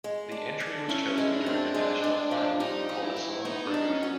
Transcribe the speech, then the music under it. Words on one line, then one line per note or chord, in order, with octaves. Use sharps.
The entry was chosen during a national final called A Song for Europe.
G#3
D4
D4
C#4 E4
G#3
D4
D#4
C4 D4
G#3
G#3
F3
G3 D#4
G3
E4
E3
B3 D#4
D4
D#4
C#4
F#3